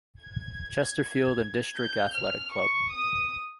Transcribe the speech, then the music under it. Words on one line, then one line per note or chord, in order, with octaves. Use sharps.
Chesterfield and District Athletic Club.
G#6
G6
F6
C#6
D#6